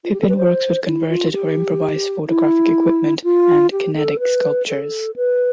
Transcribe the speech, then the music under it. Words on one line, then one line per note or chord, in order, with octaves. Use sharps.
Pippin works with converted or improvised photographic equipment and kinetic sculptures.
F4
G4
A4
B4
C5
E4
F4
G4
E4
F4
G4
A4
B4
A4
B4